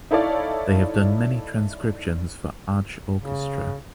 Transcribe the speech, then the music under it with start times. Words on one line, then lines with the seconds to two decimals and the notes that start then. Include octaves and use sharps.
They have done many transcriptions for Arch Orchestra.
0.11 D#4 E4 A4 C#5 D5 F5
3.21 C#3